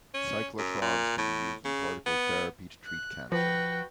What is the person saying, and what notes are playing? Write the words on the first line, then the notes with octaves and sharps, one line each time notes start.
Cyclotrons can be used in particle therapy to treat cancer.
C#4
F#2
A#2
A2
C#3
B3
F#6
F3 F#4 B4 G5